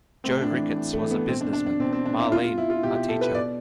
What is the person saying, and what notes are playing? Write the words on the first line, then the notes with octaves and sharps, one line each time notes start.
Joe Ricketts was a businessman; Marlene, a teacher.
A2 C4
D4
E3
A2
A3
E3
B3
B2 C4
D4
D4
D4
B2 C4
C4
D4
E4
B2 F4
F4
E4
F4
B2 G4
G4
A4
B4
B2 D5